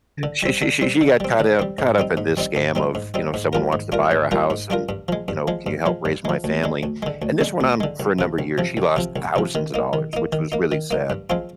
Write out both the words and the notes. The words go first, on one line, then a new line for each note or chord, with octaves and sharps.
She she she she got caught up caught up in this scam of, you know, someone wants to buy her a house and, you know, can you help raise my family? And this went on for a number years, she lost thousands of dollars, which was really sad,
D3
G3 C4
D3
G3 C4
D3
G3 C4
D3
G3 C4
G#2
G3 C4 D#4
G#2
G3 C4 D#4
G#2
G3 C4 D#4
G#2
G3 C4 D#4
G#2
G3 D4 F4 A#4
G#2
G3 D4 F4 A#4
G#2
G3 D4 F4 A#4
G#2
G3 D4 F4 A#4
G2
F3 G#3
G2
F3 G#3
G2
F3 G#3
G2
F3 G#3
D2
D3 G#3
D2
D3 G#3
D2
D3 G#3
D2
D3 G#3
C2
C3 F3
C2
C3 F3
C2
C3 F3
C2
C3 F3
D#3
A#3 D#4
D#3
A#3 D#4
D#3
A#3 D#4
D#3
A#3 D#4
G2
F3 G#3 C4 F4